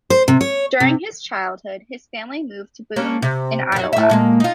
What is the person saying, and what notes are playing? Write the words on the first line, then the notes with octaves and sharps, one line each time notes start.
During his childhood, his family moved to Boone in Iowa.
C5
C3
C#5
C3
A#3 C#4 D4
C3
F#2 F#3
A2 E5
A#2 G#3 A#3
D#4 F4